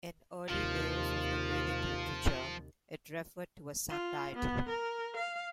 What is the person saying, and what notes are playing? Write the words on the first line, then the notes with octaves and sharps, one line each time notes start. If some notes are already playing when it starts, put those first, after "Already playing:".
In early layers of the Vedic literature, it referred to a sun deity.
D#2 C3 F3 F4
F4
B3
A#4
F5